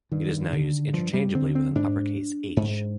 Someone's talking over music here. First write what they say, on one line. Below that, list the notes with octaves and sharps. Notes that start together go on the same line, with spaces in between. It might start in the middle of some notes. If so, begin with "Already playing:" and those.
It is now used interchangeably with an uppercase "h".
G2 D#3
D3
G2 F3
G3
D3 C4
C4
G#2 D4
G#2